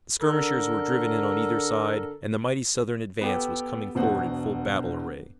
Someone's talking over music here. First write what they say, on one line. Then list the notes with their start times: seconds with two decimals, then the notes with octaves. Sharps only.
The skirmishers were driven in on either side and the mighty Southern advance was coming forward in full battle array.
0.21 D3 A4 A#4
3.21 B3 G4 A4
3.95 E1 B2 C5 F#5